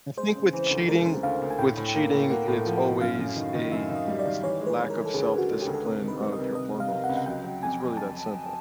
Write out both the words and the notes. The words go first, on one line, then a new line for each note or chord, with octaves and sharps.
I think with cheating with cheating, it's always a s lack of self-discipline of your hormones. It's really that simple.
G#3 C5
C#3
E3
D2
G#3 A#4
C#3 C5
D2 F5
D2
G#5
A2 G5
A2
A#3
A2
A#3 F#5
A2
F3
A2
F#2 F5
F#2
D#3
D#3
F#2 E5
D#3
D#5
G3
D5
D#3
E3 C#5
G#3
B4
G#3
A#4
E3
A4
D2 G#4
C#3
F#4
G#3
G4
D2
A4
C3 A#4
D#3
B4
G3
D#5
C3
C3 D#5
C3
F5
C3
F#5
C#2
F#5
F#3 G5
F#3
F2 G#5
F2
A5